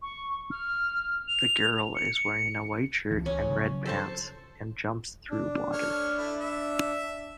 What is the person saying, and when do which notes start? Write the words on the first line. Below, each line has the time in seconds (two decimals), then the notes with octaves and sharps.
The girl is wearing a white shirt and red pants, and jumps through water.
0.02 C#6
0.51 F6
1.28 F7
1.95 C#7
2.15 C#7
3.11 C#2 E3 F3
3.26 C#4
3.49 C#3 F#3
3.86 A4 C5 A5
5.30 D4
5.73 A4 C#5 F6
6.18 A3 E4
6.41 E5